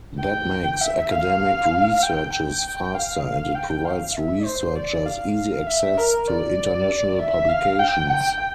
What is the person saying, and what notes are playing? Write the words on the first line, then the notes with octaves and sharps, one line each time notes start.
That makes academic researches faster and it provides researchers easy access to international publications.
G5
E5
F5
G5
G5
F5
G5
F5
E5
C5
D5
F5
E5
A#4
D5
E5
F5
G5
G5